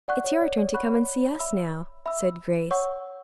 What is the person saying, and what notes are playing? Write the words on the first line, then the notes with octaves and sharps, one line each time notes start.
"It's your turn to come and see us now," said Grace.
D5 F#5 C#6 F#6
C#5
D5
D5
F#5 B5 C#6 F#6
E5 B5 E6
E5 B5 E6
C#5 F#5 C#6 E6